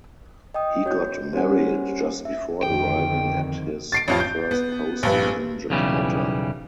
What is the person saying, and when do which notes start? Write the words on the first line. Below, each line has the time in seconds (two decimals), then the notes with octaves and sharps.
He got married just before arriving at his first posting in Jakarta.
0.54 D#5 G5 D#6
0.86 F#4 C#5 G6
1.33 G3 C#4 A#4 C5 F#5
2.25 E5
2.63 F2 D3 D#3 G5
3.92 A6 C7 D7
4.08 A1 F2 F4
4.20 G6
4.51 B3
5.03 A#1 G2 B4
5.70 B1 E2 C#3 E3 G3